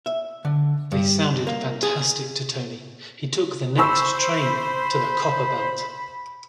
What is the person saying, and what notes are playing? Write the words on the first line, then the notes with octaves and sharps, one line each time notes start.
They sounded fantastic to Tony, He took the next train to the copper belt...
E5
D3
G2
A#3
G#4
C5 B5 C#6 E6